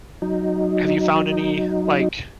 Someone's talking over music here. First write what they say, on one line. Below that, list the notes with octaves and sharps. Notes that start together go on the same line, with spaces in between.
Have you found any like
F#3 D#4